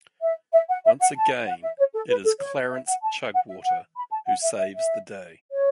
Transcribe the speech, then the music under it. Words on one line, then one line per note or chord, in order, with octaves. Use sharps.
Once again it is Clarence Chugwater who saves the day.
E5
E5
F#5
E5
F#5
A5
F#5
E5
C#5
A4
B4
A4
C#5
E5
F#5
A5
F#5
E5
F#5
B5
A5
F#5
E5
E5
E5
C#5